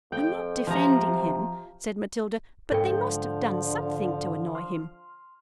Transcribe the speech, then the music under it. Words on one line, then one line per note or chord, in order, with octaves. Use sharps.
"I'm not defending him," said Matilda, "but they must have done something to annoy him."
F2 G5
C3 F3 A#5
G#2 D3 F3 A4 G5 G6
C6 F6